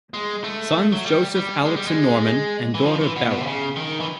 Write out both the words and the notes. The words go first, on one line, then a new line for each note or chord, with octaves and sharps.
Sons Joseph, Alex and Norman, and daughter Beryl.
G#3
A3
F#3
G3
G3
G#3
G3
G#3
E3
F3
E3
B2
B2
C3
C#3
D#3
E3